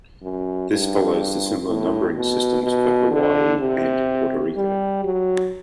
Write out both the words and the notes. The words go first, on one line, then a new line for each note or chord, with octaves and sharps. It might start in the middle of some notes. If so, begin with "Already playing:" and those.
This follows the similar numbering systems for Hawaii and Puerto Rico.
F#2
G2
A2
B2
B2
D3
C3
G3
F#3